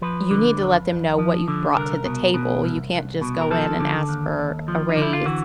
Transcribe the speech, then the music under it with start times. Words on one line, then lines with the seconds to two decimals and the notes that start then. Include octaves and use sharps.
you need to let them know what you've brought to the table; you can't just go in and ask for a raise,
0.02 F3 B4
0.31 D3
0.60 F2
0.89 F2
1.18 F3
1.48 D3
1.77 C2 A#4
2.05 B2
2.34 B2
2.64 C2
2.93 C2
3.21 B2
3.41 A#4
3.51 F3 A4
3.80 D3
4.09 D#2
4.38 D#2
4.68 F3
4.89 D#4
4.97 D3
5.02 E4
5.13 F4
5.26 E3 F#4